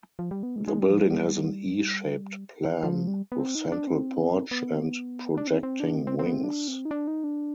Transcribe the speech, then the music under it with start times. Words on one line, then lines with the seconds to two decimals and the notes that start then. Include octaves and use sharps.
The building has an E shaped plan with central porch and projecting wings.
0.19 F3
0.31 G3
0.43 B3
0.56 G#3
0.68 G#3
0.79 G3
0.90 F3
1.02 G3
2.83 F3
3.08 G3
3.32 B3
3.40 C4
3.55 D#4
3.72 D4
3.87 C4
4.51 B3
5.38 D4
5.47 C4
5.63 C4
5.80 D4
5.96 C4
6.07 C4
6.19 C4
6.26 B3
6.32 C4
6.44 D4
6.68 C4
6.85 D#4
6.91 D4
7.07 D#4
7.24 D4